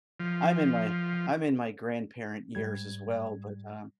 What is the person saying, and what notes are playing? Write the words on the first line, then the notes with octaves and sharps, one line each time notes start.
I'm in my I'm in my grandparent years as well, but, um
F3
G#2 G3 G#6